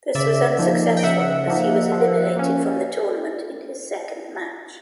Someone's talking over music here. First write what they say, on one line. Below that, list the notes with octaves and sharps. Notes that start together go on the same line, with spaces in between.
This was unsuccessful as he was eliminated from the tournament in his second match.
C#3 D5 E5
F3 A#3 D#4
G5
C#3 E5 F#5
F3 A#3 D#4
F3
A#3 C#4